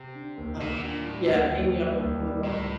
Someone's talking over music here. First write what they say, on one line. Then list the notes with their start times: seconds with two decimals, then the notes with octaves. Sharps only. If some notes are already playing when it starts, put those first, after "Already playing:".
um, yeah, being able to move on.
Already playing: C3
0.15 D3
0.38 D#2
0.54 A2
0.60 D#2 A#2
0.76 B2
0.83 A#2 D3
1.06 A2 G3
1.29 D#2
1.52 D#2
1.75 G3
1.98 D#2
2.21 G3
2.44 C#2 A2